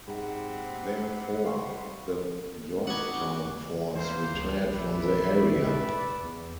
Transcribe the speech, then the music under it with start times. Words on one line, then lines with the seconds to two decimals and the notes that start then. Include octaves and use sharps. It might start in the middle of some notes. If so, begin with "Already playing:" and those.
Therefore, the "Yorktown" force retired from the area.
0.08 G#2 C3 C4 F#5 B5
1.44 G3 F5 C6 C#6
2.87 B3 D#4 F#4 B4 F#5 G#5 D6
3.95 E3 A#3 C5
4.34 C#2
4.64 A#1 B4 D5 E5
6.22 E2